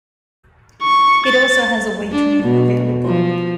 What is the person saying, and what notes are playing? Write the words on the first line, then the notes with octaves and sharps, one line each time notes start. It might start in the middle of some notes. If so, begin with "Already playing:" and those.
It also has a weight room available.
C#6
A6
D4
B2
F3